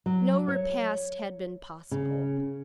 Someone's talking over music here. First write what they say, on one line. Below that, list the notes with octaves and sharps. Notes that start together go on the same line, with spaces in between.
No repast had been possible.
F#3
C#5
C#3